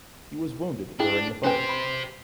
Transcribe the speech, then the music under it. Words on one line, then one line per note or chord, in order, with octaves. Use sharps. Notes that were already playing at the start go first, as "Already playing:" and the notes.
He was wounded during the fighting.
D4 E4 G#4 G5
C#4 G4 B4 C5 G5
B5